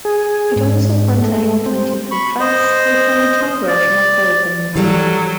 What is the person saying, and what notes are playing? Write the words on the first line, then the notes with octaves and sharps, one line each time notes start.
It also contained twenty-three tracks with a guitar version of the opening theme.
G#4
G#2
A3
C4
B5 C#6
C5 D#5
D5
E3 F#3 G3 A4 F5